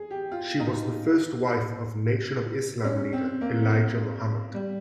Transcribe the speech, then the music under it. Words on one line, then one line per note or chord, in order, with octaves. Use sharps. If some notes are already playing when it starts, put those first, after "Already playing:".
She was the first wife of Nation of Islam leader Elijah Muhammad.
Already playing: G#4
G4
F4
D#4
C#4
C4
A#3
G3